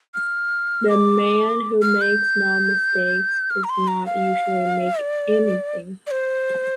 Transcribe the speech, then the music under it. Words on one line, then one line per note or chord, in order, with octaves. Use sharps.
The man who makes no mistakes does not usually make anything.
F6
D6
F6
G6
F6
A#5
C6
A#5
F5
D5
D5
C5